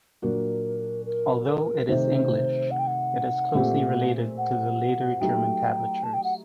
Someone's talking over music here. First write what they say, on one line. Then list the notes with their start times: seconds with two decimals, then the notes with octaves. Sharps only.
Although it is English, it is closely related to the later German tablatures.
0.22 A#2 F#3 A#3 D4 F#4 A#4
1.06 A#4
1.47 A#4
1.88 C3 D#3 A3 C5
2.71 F#5
2.79 G5
2.87 F#5
3.55 A#2 A3 C4 G4
4.38 F#5
5.21 F#3 A3 D#4 G4 G5
6.04 A5
6.14 G5
6.24 F#5